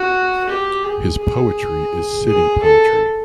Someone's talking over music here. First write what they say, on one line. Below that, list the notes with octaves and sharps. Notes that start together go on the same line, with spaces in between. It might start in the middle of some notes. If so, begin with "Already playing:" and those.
His poetry is city poetry.
Already playing: F#4
G4
G#4
G#4
G#4
A4